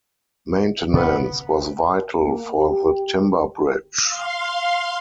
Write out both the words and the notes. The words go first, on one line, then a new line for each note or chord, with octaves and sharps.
Maintenance was vital for the timber bridge.
C3 B3 D4
A#3
G4
F5 C6